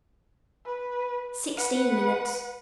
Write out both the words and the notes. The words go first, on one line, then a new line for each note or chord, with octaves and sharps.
Sixteen minutes.
B4
B4 F#5